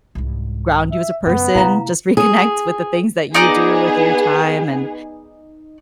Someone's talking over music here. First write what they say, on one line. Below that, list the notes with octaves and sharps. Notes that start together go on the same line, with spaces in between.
ground you as a person, just reconnect with the things that you do with your time and,
C2 G#2
E5
F#2 C#3 B3
C3 A3 E4 F5 A#5
G#4
B3 D#4 G#4 D5 D#5